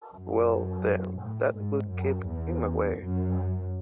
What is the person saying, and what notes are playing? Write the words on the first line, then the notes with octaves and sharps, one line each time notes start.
Well! Then, that will keep him away.
F#2
A2
G#2
F#2
E2
F#2